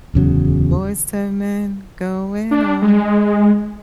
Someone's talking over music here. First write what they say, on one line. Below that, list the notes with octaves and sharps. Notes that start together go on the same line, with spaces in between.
Boyz II Men going on
D1 E2 C#3 F#3
D4
G#3